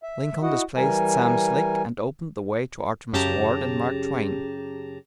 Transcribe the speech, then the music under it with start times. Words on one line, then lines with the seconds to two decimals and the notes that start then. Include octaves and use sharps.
Lincoln displaced "Sam Slick," and opened the way to Artemus Ward and Mark Twain.
0.03 E5
0.42 E4 F#4 D#5 F#5
0.77 E3 G3 A#4 G#5
3.13 F#2 C#3 G4 A5 A#5